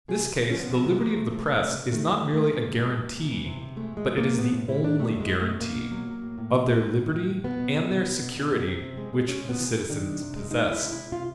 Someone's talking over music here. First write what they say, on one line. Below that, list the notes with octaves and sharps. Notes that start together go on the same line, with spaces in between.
In this case the liberty of the press is not merely a guarantee, but it is the only guarantee, of their liberty and their security which the citizens possess.
C3 G#4
C3
F3
C#4
F3
B3
C3 C4
G#3 B3
F3 A#3
F3 A3
C3 A3
G#3
C3
C3
D#3 A3
C3
A3
C3
G#3 A3
C3 A#3
G#3
G#3
E3
C3
E3
C3
C3
G#3 A3
A2 G#3
F3
A#3
F3
A2 B3
A2
A2 E4
A2 D4
F#3 A3
F#3
G#3
B2
A3
B2
B2 A#3
B2
F#3
F#3
A2
A2
F3
A2
A2
A2
A2
A2
B2 B3
B2
B2
B2
B2
B2
B2
B2
C3 C4
C3
G#3
G#3
G#3 C#4
C3 B3
E3
C3
D#3 D4
C3
C3
G#3
G#3 D#4
G#3 E4
C3
E4
C3
C3 F4